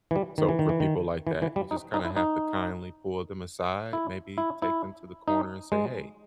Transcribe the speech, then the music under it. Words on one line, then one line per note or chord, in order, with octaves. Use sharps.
So for people like that, you just kinda have to kindly pull them aside, maybe take them to the corner and say, "Hey,"
E3
G3
D#3
E3
D#3
E3
D#3
E3
E3
G3
D#4
D#4
E4
D#4
E4
E4
E4
D#4
G#3